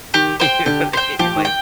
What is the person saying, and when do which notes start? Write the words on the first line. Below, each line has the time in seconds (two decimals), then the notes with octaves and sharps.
You know what I mean? Like
0.14 D#3 G4
0.40 C5 G5
0.66 D3 G4
0.93 C5 G5
1.19 F3 G4
1.36 D#3
1.45 G5